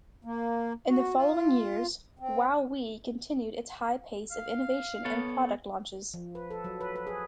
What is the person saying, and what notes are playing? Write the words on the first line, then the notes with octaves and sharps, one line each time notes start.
In the following years, WowWee continued its high pace of innovation and product launches.
A#3
F#4
F4
C4
F5
B3 A4 C#5
F3
B4
A4
F#3
B4
B4
G#4